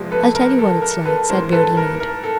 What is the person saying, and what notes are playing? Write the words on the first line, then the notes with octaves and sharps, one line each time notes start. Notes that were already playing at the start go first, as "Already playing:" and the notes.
"I'll tell you what it's like," said Beardy Ned.
Already playing: E2 C3 F3 G#3
A4 B4
A#4
A4
A#4
A4 B4
G#2 E3 G3 A#4 C5
A4 B4
A#4
A#4
A4